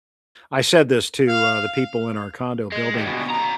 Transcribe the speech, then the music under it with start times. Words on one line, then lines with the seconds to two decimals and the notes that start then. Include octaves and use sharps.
I said this to, uh, the people in our condo building,
1.29 F5
2.72 G#3
2.94 D#2 G3
3.05 D2 B2
3.30 C#3 A#5